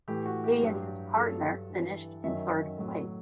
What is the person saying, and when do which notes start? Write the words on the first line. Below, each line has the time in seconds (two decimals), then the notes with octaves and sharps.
He and his partner finished in third place.
0.08 A2 E3 G4
0.26 F#4
0.44 G4
0.62 G2 F#3
1.16 G2 F#3 A4
1.70 G2 E3
2.24 F#2 D#3 F#3 E5
2.78 A2 F#3